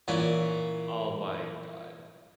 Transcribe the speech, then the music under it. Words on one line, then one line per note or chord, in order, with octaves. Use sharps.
Oh my god.
A#2 E3 C#4